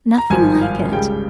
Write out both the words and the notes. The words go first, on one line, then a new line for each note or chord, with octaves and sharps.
Nothing like it.
A#5
G#1 G2 F3 G#5
F5
C#2 C#3 G3 G5